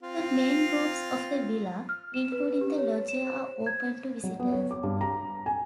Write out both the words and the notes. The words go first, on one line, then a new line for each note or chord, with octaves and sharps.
The main rooms of the villa, including the Loggia, are open to visitors.
C4 F4
F6
E7
B4
G4
C#5
E7
C5
G#6
F#3
B3
C#5
D6
G2
A#5
G#5